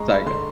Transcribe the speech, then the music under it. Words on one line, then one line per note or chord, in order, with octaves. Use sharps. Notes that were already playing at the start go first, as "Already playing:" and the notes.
Sorry, go ah
Already playing: G#3 A#5 C#6
B5
D3 C6